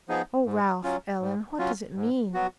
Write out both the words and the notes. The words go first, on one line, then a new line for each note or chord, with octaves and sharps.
"Oh, Ralph--Ellen--what does it mean?"
F3 B3 D#4 G#4
G#2
F#3 C#4 F4
G#2
F#3 C#4 F4
G#2
F#3 B3 F#4